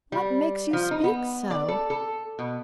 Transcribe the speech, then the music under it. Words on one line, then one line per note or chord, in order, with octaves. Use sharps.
What makes you speak so?
G3
F3
D#4
B3
D5
A4
A4
B2